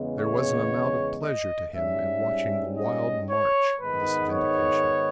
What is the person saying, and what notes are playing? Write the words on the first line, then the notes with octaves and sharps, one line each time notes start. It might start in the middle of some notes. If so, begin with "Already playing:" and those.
There was an amount of pleasure to him in watching the wild march of this vindication.
Already playing: E2 C#3 G#3 B3
C#5
D#5
G#2 G3 C#4 E5
D#5
C#5
G#2 D#3 G#3 B3 B4
C#5